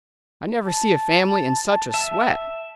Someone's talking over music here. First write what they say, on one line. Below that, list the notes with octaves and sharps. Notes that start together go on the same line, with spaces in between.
I never see a family in such a sweat.
A5
E5